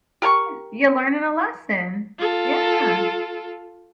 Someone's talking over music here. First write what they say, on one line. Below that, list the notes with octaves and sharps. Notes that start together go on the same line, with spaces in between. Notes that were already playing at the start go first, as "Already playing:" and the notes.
Yeah, you're learning a lesson, yeah.
G4 A#4 G#5 C#6
F4 A4